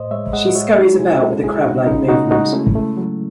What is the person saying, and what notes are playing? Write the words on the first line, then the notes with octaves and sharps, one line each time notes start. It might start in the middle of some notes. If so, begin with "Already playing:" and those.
She scurries about with a crab-like movement.
Already playing: A2 C5 D#5
G#3 C#5 E5
G#3 D#5 F#5
G#3 C#5 E5
G#3 D#4 F#4
C3 E4 G#4
G#3 F#4 A4
G#3 E4 G#4
C#3 D#4 F#4
C#3 D#4
C#3 D#4 F#4
G#3 D#4 F#4
A3 C#4 E4
A3
F#3